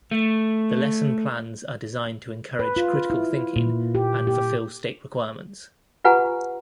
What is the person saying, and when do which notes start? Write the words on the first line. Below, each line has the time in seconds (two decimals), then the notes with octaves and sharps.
The lesson plans are designed to encourage critical thinking and fulfill State requirements.
0.11 A3
2.59 B4
2.76 F4
3.10 E4
3.56 A#2
3.95 G4
4.27 G4
6.05 F4 G4 B4 F#5 G#5 A#5